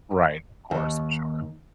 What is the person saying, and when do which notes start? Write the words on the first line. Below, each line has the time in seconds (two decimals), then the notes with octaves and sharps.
Right, of course, I'm sure.
0.71 D#2